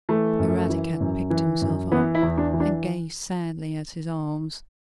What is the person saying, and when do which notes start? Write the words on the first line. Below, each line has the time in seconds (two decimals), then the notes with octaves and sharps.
Eradicate picked himself up, and gazed sadly at his arms.
0.09 E3 A3
0.39 F#2
0.69 E3
1.01 F#2
1.30 E3
1.62 F#2
1.92 E3 B3
2.15 E4
2.22 E2
2.37 D4
2.53 E3
2.60 D4